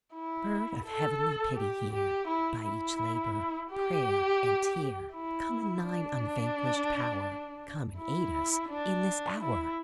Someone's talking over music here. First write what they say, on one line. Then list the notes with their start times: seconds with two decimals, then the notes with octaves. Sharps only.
"Bird of heavenly pity here, By each labour, prayer and tear, Come in thine unvanquished power, Come and aid us in this hour!"
0.14 E4
0.86 A4
1.56 G4
1.93 G4
2.28 E4
2.64 E4
3.71 G4
5.13 E4
5.84 D4
7.98 E4
8.69 D4
9.40 E4